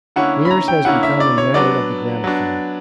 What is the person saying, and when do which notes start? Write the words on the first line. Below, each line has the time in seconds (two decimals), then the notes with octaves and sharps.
Meares has become enamoured of the gramophone.
0.16 D3 A#3 C#4 E4 F#5
0.45 B5
0.50 A#5
0.68 G5
0.85 D3 A#3 C#4 E4 F#5
1.03 E5
1.20 D5
1.38 C#5
1.54 F#3 B3 D4 D5
2.24 F#3 B3 D4